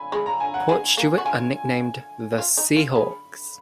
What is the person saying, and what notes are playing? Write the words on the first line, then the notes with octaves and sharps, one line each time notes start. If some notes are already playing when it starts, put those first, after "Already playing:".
Portstewart are nicknamed "The Seahawks".
Already playing: G#5 B5
G#3 B5
A#5
G#5
F#5
G#3 G#5
A#3
F#4
F4 G#5
F4
D#4
F4
G#4 B5